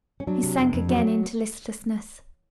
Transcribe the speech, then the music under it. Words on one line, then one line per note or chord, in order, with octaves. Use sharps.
He sank again into listlessness.
C#4
F#3 D4
C3
F2
F2
F#3